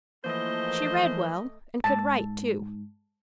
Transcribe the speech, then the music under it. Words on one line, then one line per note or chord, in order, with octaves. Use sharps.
She read well and could write, too.
E3 F3 A3 A#3 C5 D#5
G#2 A5